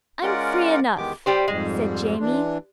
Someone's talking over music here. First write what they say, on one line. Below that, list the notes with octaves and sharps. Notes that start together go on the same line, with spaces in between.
"I'm free enough," said Jamie.
G#3 C#4 F4 A#4 D5 F#5
E2 D#3 G#3 B3 G4 D6
G3 G4 C5
F2 G#2 G3 G#3
E3 D4